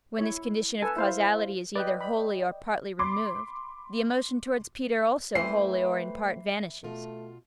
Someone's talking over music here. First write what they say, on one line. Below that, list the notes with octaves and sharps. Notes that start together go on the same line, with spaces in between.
When this condition of causality is either wholly or partly removed, the emotion towards Peter also wholly or in part vanishes.
E4 C#5
A4 B4 G#5
E4 C5 F5
B4 D5 D#5 G5
B5
B5 C6 D6
E3 A3 C4 B4 C5 C7
B2 A3 F4